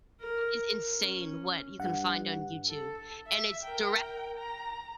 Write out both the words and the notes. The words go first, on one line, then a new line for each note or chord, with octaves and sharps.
it is insane what you can find on YouTube, and it's direct
A#4
C#4
G2 F#5
A4
E5
A#4 G5
A#5